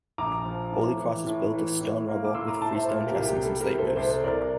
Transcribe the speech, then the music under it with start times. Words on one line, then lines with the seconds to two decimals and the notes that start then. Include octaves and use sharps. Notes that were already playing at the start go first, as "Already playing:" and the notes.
Holy Cross is built of stone rubble with freestone dressings and slate roofs.
0.18 A#1 A#5 D6
0.46 F3
0.72 A2
1.00 E3
1.26 A2
1.54 E3
1.81 A2
2.08 A#3
2.25 D6
2.35 A2 C6 E6
2.47 A#5 D6
2.61 A2 A5 C6
2.75 C5 E5
2.88 A#2
3.07 G4 A#4
3.16 C2
3.25 G4
3.42 G3 A4
3.60 G4 A#4
3.70 C2
3.78 A4 C5
3.96 C2 A4 C5
4.24 C2 A#4 D5